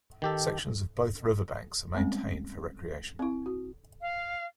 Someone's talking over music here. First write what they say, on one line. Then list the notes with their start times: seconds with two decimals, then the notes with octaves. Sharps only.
Sections of both river banks are maintained for recreation.
0.22 D#3 G4 A4
1.94 G3 G#3 A#3 C4 C#4
3.19 C4 E4
3.46 F#4
4.01 F5